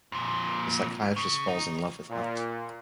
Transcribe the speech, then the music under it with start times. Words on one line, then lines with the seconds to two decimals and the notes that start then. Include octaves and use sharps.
The psychiatrist falls in love with her.
0.12 F2 A#2
1.16 C#3
1.48 D#4
2.10 A#2